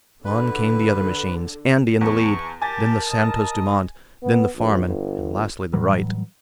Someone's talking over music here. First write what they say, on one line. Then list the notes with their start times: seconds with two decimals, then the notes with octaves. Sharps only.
On came the other machines, Andy in the lead, then the Santos-Dumont, then the Farman, and lastly the Wright.
0.25 D3 B4
2.01 E2 A5 C#6
2.62 G4 A#4 G#5 A5 A6
3.08 D#5
4.23 B3
4.56 A#1
4.87 G1
5.73 A2 E3 F#3 G3